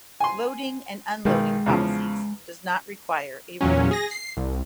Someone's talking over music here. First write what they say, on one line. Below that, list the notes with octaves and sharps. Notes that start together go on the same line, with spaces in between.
Loading and unloading policies does not require a reboot.
G#5 C6
B1 D#3 G#3
E2 C#3 F3
E2 A#2 F#3 C#4
G#4 A#6
C7
C2